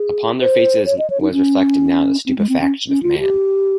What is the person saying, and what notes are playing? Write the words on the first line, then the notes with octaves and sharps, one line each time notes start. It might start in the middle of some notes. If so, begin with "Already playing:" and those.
Upon their faces was reflected now the stupefaction of the man.
Already playing: G#4
C5
C#5
D#5
C#5
D#4
C#4
C4
G#3
C4
C#4
C#4
F4
G4